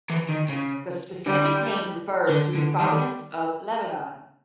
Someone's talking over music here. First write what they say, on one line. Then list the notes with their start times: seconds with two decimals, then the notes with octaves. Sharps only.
The specific name refers to the provenance from Lebanon.
0.10 E3
0.29 D#3
0.49 C#3
1.26 D3 G3
2.29 D3
2.55 D3
2.80 D#3 G3